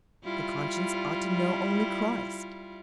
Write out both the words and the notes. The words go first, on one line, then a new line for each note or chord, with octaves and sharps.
The conscience ought to know only Christ.
G3 E4 F4